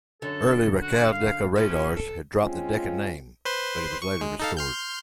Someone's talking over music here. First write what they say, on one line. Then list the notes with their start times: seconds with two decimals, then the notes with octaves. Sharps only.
Early Racal-Decca radars had dropped the Decca name, but it was later restored.
0.22 F#2 D3 A4
0.81 F#4
1.11 F5
1.56 F3 A#3 C#4 E4
1.97 A4
2.42 G#3 C4 C#4 F4
3.45 B4 C5 C6
4.02 C#6
4.21 G#3
4.40 D#4 A4 F5
4.57 C6 F6 G6